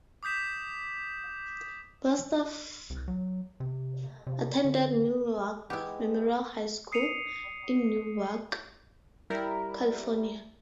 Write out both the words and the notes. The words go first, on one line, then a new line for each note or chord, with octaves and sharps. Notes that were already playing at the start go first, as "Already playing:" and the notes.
Bostaph attended Newark Memorial High School, in Newark, California.
D6 D#6 G6 B6 E7
C2
F#3
C3
C3
D3
G#3 B3 E4 G4
D#6 C7 C#7 D#7 F7
G3 E4 A#4